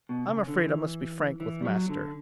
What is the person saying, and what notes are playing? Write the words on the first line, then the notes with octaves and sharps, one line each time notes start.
"I'm afraid I must be frank with master."
B2
C#3
D3
E3
E3
G3
F#3
D3